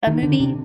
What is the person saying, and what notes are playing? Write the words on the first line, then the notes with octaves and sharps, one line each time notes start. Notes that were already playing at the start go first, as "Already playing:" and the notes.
a movie?
D#3
D3
C3